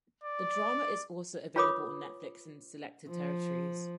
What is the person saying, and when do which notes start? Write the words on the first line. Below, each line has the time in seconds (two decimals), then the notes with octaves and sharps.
The drama is also available on Netflix in selected territories.
0.24 D5
1.56 F4 B4 C#5 B5 D6 D#6
3.09 F3